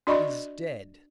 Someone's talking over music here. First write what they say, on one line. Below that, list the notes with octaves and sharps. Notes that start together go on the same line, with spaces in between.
"Is dead."
D4 F#4 D5 D#5 B5 C#6